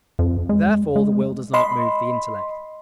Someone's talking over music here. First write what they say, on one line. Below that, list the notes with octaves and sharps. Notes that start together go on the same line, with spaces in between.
Therefore the will does not move the intellect.
F2
G#3
G#3
D#5 B5 C6